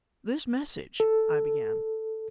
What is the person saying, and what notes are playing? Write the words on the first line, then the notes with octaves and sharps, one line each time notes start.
"This message," I began...
A4